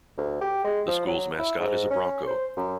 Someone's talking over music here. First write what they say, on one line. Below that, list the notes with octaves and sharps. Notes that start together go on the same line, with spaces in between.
The school's mascot is a Bronco.
D2
G4
G#3
F3
F#3
E4
G#2
C#4
C5
F#2